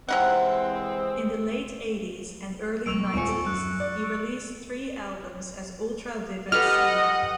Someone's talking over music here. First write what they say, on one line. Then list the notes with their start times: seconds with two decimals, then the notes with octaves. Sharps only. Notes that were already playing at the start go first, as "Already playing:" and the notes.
In the late eighties and early-nineties he released three albums as Ultra Vivid Scene.
0.08 C3 E3 G#3 C4 D#4 F#5
2.86 B1 C#6 E6 D7 F7
3.14 D#1 F3 G#5 C#6 C#7
3.28 A4
3.47 F#2 F#6
3.80 D5
6.52 G4 A4 B4 D#5 F#5 F6